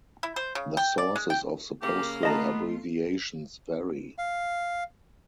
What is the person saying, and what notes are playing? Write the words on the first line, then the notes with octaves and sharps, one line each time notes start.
The sources of the postal abbreviations vary.
E4
C5
C#3
G5
D5
G#3
G5
C#3 A#3 G4
A3 B3 F4 D#5 A5 A#5
F5